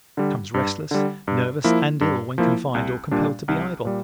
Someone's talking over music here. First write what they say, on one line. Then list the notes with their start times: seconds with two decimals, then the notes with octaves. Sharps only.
He becomes restless, nervous and ill when confined or compelled to be idle.
0.17 D3 G3
0.54 G2
0.91 D3 G3
1.28 G2
1.64 F3 A#3 E4
2.01 G2
2.38 F3 A#3 E4
2.75 C2
3.11 A#2 G3 D4
3.48 C2
3.85 A#2 G3